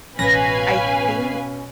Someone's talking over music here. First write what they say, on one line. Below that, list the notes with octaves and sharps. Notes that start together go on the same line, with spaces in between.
I think
A1 B2 C#4 B4 F5 G#5 A#6